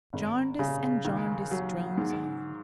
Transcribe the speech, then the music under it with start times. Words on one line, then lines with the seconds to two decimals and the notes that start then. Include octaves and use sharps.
Jarndyce and Jarndyce drones on.
0.13 G#1
0.59 C#3
1.05 D#2
1.51 F#3
1.97 G#2